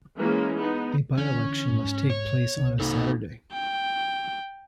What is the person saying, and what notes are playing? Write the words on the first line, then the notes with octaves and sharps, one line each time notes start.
A by-election must take place on a Saturday.
E3 G#3 A#3 C#4
B3 D#4
D3 E3 C#4
G#2
C#5
C2 C3
A#3 D#4 A4
G5